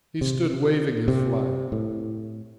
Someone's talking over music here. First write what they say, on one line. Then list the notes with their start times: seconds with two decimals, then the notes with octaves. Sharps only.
He stood waving his flag.
0.21 C3
1.08 C3
1.72 A2